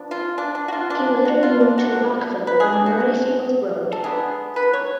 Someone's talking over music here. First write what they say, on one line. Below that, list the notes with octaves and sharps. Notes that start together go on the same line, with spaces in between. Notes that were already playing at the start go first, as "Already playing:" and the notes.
He later moved to "Rockville" on Murrayfield Road.
Already playing: F3 B3 D4
F4
D4
D4
F#4
F4
D3 F3 G#3 D4
F#4
F4
D4
F#4
D3 F3 A3
B4
G#4
D4
F#4
D3 G#3 D4
A4
D3 G#3 B3 D4 G#4
B4
C#5